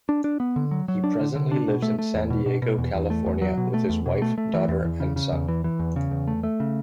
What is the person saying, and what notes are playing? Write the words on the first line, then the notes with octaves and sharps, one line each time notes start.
He presently lives in San Diego, California with his wife, daughter, and son.
D4
D4
B3
D3
F#3
F#3
D4
D3
D3
D4
B2
A3
A3
E2
B2
B2
B2
E2
E2
A3
E2
F#3
B2
A3
E2
B2
A3
A3
E3
E2
E2
C#3
C#3
E2
E3
E3
E2
C#3
E2
A3
A3
C#3